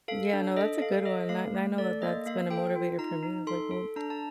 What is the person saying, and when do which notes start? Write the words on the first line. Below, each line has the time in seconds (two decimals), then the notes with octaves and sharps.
Yeah, no, that's a good one. I I know that that's been a motivator for me. I was like, "Well,
0.08 A4 F5
0.33 D4
0.57 A4 D#5
0.81 A4 F5
1.05 A4 D#5
1.29 A3 F5
1.54 A3
1.78 A4 D5
2.02 A#3 D#5
2.26 A#3 F5
2.50 A4 G5
2.75 F4
2.98 D#4 A#5
3.23 D#4
3.47 A4 C6
3.71 A4
3.96 D4 A#5
4.10 A5